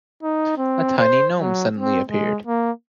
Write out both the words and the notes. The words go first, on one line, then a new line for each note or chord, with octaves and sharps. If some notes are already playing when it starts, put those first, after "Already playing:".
A tiny gnome suddenly appeared.
D#4
C4
C5
F#3
C4
G#3
A#3